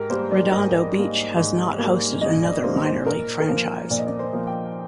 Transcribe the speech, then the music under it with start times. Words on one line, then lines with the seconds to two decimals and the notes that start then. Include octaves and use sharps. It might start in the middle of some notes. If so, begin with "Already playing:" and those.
Redondo Beach has not hosted another minor league franchise.
Already playing: G#2 G4 A#4
0.10 G3 A#3 C5
0.31 D5
0.52 G#2 D#5
0.94 G3 A#3
1.36 G#2
1.78 G3 A#3
2.21 G#2 D#5
2.42 D5
2.63 G3 A#3 C5
2.85 C5
3.05 A#2 A#4
3.40 A#4
3.48 F3 A#3 C5
3.90 A#2 D5
3.99 D#5
4.07 D5
4.19 C5
4.33 F3 A#3
4.47 G5